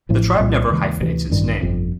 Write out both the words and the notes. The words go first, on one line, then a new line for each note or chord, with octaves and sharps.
The tribe never hyphenates its name.
A1 A2 F3 A3
C2 A#2 G3
D#2 C#3 E3 G#3
D2 C3 E3
A1 G2 D#3 G3
G1 F2 C3